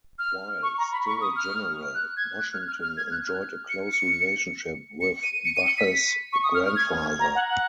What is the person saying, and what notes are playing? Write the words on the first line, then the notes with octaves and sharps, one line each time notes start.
While still a general, Washington enjoyed a close relationship with Bache's grandfather.
F6
C#6
A#5
B5
C#6
D#6
F6
F#6
G#6
F#6
F6
F6
F6
G#6
F#6
F6
C#7
C#7
C#7
D#7
C#7
D#7
C#7
B6
C#6
D#6
F6
F6
G#6
G#6
A#5
F#5
F#5